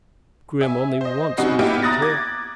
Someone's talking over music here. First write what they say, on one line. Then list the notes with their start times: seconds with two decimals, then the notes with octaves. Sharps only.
Grim only once moved her tail.
0.61 E5 G#5
1.01 C5 D#5
1.38 F#2 C3 D#4 F#4 B5 C7
1.59 A#3 B3 E4 G4
1.82 A#5 D#6 F#6 A6 A#6
2.02 D6 G#6